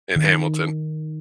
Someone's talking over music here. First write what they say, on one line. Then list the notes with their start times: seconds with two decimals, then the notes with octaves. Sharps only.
in Hamilton.
0.16 D#3